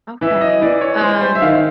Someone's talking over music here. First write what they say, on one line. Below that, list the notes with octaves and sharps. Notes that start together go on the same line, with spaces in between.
Okay. Um
E3 E5
D#5
E3 D5
C#5
G#3 C5
C5
E5
D#3 F5